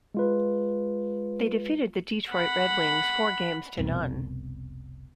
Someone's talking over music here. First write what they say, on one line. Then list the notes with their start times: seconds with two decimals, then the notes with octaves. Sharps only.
They defeated the Detroit Red Wings four games to none.
0.14 G#3 F4 B4
2.29 F#5 B5
3.77 F1 C2 B2